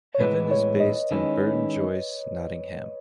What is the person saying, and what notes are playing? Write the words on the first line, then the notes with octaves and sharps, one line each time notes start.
Heaven is based in Burton Joyce, Nottingham.
C#5
A2 E3 G#3 B3 E4 B4
C#5
D#5
D#3 G#3 C#4 E4